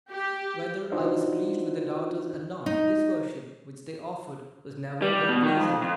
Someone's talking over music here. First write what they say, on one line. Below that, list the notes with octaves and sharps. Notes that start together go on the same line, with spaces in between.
Whether I was pleased with their daughters or not, this worship which they offered was never unpleasing.
G4
D4 D#4 F4 F#4 C5
D#4
G3
B2
D#3
F2
F2